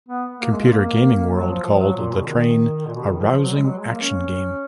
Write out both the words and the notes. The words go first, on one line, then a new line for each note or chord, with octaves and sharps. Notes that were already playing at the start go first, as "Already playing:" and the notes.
"Computer Gaming World" called "The Train" "a rousing action game".
B3
A#3
G#3
A#3
F#3
F3
F3
F3
F#3
A#2
B2
D#3
A#2
B2
C#3
D#3
F3
F3
F#3
G#3
F#3
G#3
A#3
C#4